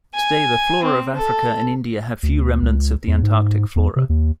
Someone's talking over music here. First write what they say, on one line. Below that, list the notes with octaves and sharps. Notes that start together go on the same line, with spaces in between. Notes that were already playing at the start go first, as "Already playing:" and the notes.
Today, the flora of Africa and India have few remnants of the Antarctic flora.
G#5
C4
A4
D2
C#2
E2
G#2
E2
C3
D#2